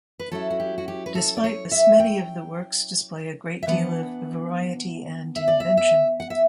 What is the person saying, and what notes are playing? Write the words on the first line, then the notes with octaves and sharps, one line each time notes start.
Despite this, many of the works display a great deal of variety and invention.
B4
F#3 C#4 E4 A4
F#4
G4
F#4
G4
B4
A4
D5
C#5
E5
G5
E5
E3 B3 D4 F#5
E5
D5
E5
E5
F#5
E5